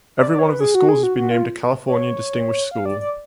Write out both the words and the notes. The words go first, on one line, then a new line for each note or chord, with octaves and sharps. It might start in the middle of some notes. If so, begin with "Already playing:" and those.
Every one of the schools has been named a California Distinguished School.
D5
D5
C#5
B4
G#4
F#4
G#4
F#4
F#4
F4
C#5
F5
D5
D5